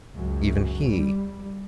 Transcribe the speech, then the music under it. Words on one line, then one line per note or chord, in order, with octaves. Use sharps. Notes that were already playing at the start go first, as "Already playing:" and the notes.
"Even he!"
C#2 F#2
G3